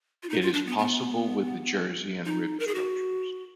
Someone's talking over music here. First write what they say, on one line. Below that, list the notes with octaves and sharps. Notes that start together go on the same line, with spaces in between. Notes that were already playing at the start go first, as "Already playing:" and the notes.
It is possible with the jersey and rib structures.
F4
D#4
F4
D4
B3
B3
D#4
A#4
G#4
F#4